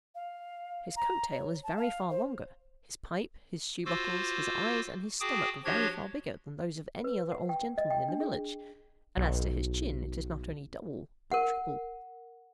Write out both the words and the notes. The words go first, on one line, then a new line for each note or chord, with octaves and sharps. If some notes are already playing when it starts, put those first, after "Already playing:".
His coat-tail is very far longer--his pipe, his shoe--buckles, his eyes, and his stomach, very far bigger--than those of any other old gentleman in the village; and as to his chin, it is not only double, but triple.
F5
A#5
C#5
A5
F5
C5
F4 F#4 C5 D6 E6
F#4 G#4 G5 A5 D6 D#6
F3 D4 F#4 G4 C#5 G#6
B4
F#5
G5
D#5
G5
D4
G#4
B1
A#4 F#5